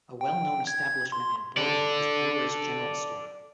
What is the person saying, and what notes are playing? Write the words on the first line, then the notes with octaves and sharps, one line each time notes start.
A well known establishment in Borden is Brewer's General Store.
G5
G#6
C6
A4 D5